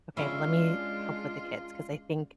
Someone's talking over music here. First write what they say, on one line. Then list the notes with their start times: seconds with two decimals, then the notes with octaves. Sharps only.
"Okay, lemme help with the kids," 'cause I think
0.17 G#3 C#4 D4 E4 F4 E5